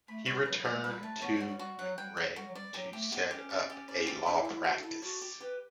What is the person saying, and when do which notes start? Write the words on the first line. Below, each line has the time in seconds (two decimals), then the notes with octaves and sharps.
He returned to McRae to set up a law practice.
0.08 A3 B5
0.26 G3 C#5
0.46 F#3 B4
0.58 F#3
0.65 F#5
0.71 A3
0.84 G3 B4
1.03 A3 A5
1.21 B3 C#5
1.35 G3
1.41 F#4
1.48 G3
1.59 G3 F#4
1.79 F#3 F#5
1.98 G3 G5
2.17 G5
2.36 G3 F#4
2.47 F#3
2.55 G3 D5
2.74 F#3 G4
2.93 A3 G4
3.12 B3 G4
3.31 C#4 G4
3.50 D5
3.70 G4
3.88 D5
4.07 G4
4.26 D4 E5
4.39 E4
4.45 E5
4.52 E4
4.64 F#4 A4
4.79 D4
4.83 E4 A4
5.02 F#4 D5
5.22 G4
5.40 G4 B4